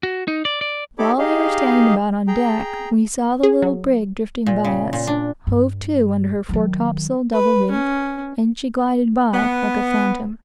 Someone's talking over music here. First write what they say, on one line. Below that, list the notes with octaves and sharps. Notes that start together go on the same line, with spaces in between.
While we were standing about on deck, we saw the little brig drifting by us, hove to under her fore topsail double reefed; and she glided by like a phantom.
F#4
D#4
D5
D5
D#4 G4 A4 C#5 B5 D6
D#4 G4 G#4 D#5 F5
G#4 G5 A#5
G#4
F#3
A#2
C#3
A#2
D4
G2
D#3 F#3
B4
C#4
B3